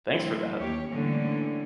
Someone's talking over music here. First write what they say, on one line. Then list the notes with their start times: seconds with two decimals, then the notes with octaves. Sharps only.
Thanks for that!
0.10 D3 E3 F#3 A3 C4 E4
0.57 D#2 G4 C#5
0.89 A2 D3 E3 G3 A#3 C#4